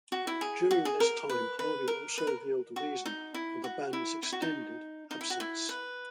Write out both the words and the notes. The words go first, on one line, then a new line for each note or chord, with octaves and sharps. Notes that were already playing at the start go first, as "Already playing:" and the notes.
During this time Harvey also revealed the reason for the band's extended absence.
F#4
E4
G#4
F#4
G#4
A#4
B4
B4
A#4
B4
A#4
F#4
D#4
E4
F#4
E4
E4
F#4
D#4
D#4
E4
F#4
E4
B4